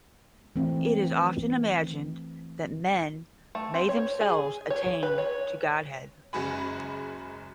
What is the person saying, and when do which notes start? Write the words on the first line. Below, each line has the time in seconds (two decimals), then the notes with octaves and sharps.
It is often imagined that men may themselves attain to godhead.
0.56 E3 A3 C4
3.55 A3
3.74 C4
3.89 C#5
4.21 G#4
4.70 C#5
5.03 B4
5.18 C#5
6.33 F#1 F#2 G#3 F#4 G#5 B5